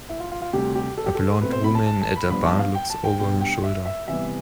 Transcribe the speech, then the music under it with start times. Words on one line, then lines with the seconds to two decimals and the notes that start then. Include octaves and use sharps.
A blond woman at a bar looks over her shoulder.
0.09 E4
0.20 F4
0.32 F4
0.42 F4
0.53 D2 C3 G3 G4
0.75 G4
0.98 A4
1.06 G4
1.15 A4
1.41 B2 A3 C4 B4
1.52 C5
1.64 B5
1.75 A5
1.87 A5
2.01 A5
2.16 B5
2.30 G2 F3 B3 D4 B5
2.46 A5
2.59 F5
2.75 G5
2.90 A5
3.04 G5
3.19 B2 G3 D4 G5
3.41 G5
3.64 E5
3.85 E5
4.08 C3 E3 G3 B3 E5